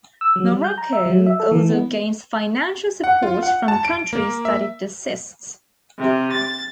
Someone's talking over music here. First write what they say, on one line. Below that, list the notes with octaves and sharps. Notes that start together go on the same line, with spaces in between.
Morocco also gains financial support from countries that it assists.
E6
F#3
G3
G6
A#5
E5
F#3
E5
A4
E3
B3
F#5
F4
F#5
A5
D7
A#3
E5
C3
A6